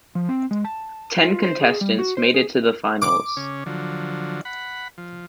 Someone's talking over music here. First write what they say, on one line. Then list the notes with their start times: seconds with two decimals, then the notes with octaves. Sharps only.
Ten contestants made it to the finals.
0.15 F3
0.29 C4
0.51 G#3
0.65 A5
1.23 F4
1.43 C5
1.61 G#4
1.81 G3
1.99 F#4
2.17 C5
2.34 G#4
3.02 D6
3.37 C#3 C#4
3.66 D3 F3 F#3
4.45 F#5 B5
4.98 F3